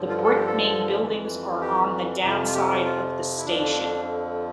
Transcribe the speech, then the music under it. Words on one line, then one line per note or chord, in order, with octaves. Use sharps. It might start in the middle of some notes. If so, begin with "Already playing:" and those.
The brick main buildings are on the down side of the station.
Already playing: G2 D3 F3
F4
A4
G4
A4
F2 E3
G4
F2 C3 F3 G4
F4
G4
F4
E4
F2 D3 F3 D4